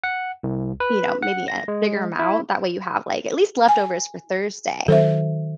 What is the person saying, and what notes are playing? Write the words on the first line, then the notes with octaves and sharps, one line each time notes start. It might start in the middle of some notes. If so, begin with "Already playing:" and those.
you know, maybe a bigger amount, that way you have, like at least leftovers for Thursday.
F#5
C2
B4
F#5
A#6
G#3
E4
G#5
D#3 F#3 A4 C5 E5